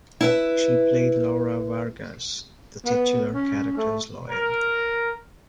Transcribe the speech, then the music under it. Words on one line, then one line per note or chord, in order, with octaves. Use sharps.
She played Laura Vargas, the titular character's lawyer.
E4 B4 E5
B3
C#4
A3
A#4